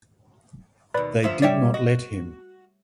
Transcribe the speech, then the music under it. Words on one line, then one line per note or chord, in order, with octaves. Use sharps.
They did not let him.
D#2 B2 B4 D5 B5
D2 F3 E5
G3 C#5 D5 E5 G5
F#4 D#5